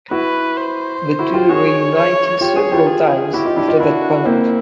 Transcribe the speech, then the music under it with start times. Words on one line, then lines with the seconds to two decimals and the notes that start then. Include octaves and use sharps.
The two reunited several times after that point.
0.11 E4 F#4 B4
0.57 C5
1.19 E4 F#4
1.34 F4 G4
1.49 F#4 G#4 C#5
1.95 C#5
2.41 F4 G4 C#5
2.56 F#4 G#4
2.71 F4 G4
2.87 G#4
3.33 E4 F#4 G4
3.45 D#4 F4
3.57 D4 E4
3.68 D#4 F4
3.79 D4 E4 F#4
4.25 A#3 C4 E4